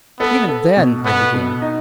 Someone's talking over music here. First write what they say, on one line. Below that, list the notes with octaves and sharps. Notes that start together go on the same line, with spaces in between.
"Even then--" I began.
B3 A4
A4
B2
B3 A4
B2
D#4